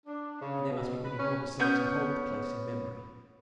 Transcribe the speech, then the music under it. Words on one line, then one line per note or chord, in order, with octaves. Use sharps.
And there must be many more besides who hold the place in memory.
D4
C#3
B2
B4
C#4
B3 C#4 G6